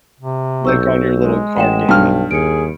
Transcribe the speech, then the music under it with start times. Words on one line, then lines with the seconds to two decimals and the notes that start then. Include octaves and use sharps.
Like, on your little card game app.
0.20 C3
0.65 B1 C#6 E6 G6
1.17 G#3
1.56 A1 F#5 G5 E7
1.89 B1 G2 F5 G5 A5 F6
2.31 D#2 G#4 C#7 D7